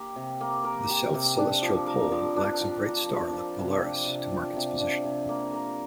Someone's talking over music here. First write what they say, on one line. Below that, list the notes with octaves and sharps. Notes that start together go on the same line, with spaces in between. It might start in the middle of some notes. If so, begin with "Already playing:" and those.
The south celestial pole lacks a bright star like Polaris to mark its position.
Already playing: A#3 G4 A#4
C3
A#3
A#4
G4
C3
D4
F3
A#4
F3
D4
F3
A#4
F3
F3
C3
D4
C3
F3
C3
D4
C3
A#3
A#4